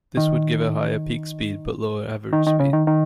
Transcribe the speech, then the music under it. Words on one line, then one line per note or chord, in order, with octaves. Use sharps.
This would give a higher peak speed but a lower average speed.
D#3
D#3
D#3
C#3
D#3
D#3